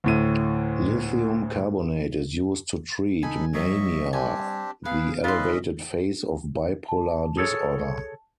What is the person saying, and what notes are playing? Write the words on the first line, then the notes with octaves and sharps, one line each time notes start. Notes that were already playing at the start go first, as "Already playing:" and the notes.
Lithium carbonate is used to treat mania, the elevated phase of bipolar disorder.
D2 A2 D#7
D#4 A4 G#5 B5
F#3 D#5 E5 C#6
G3 C4 D4 G4 G#5
B3 G#4 B4 F5
C#4 D#4 F4 B4 D#5 E5 C6
A5
G#4 A4 C#5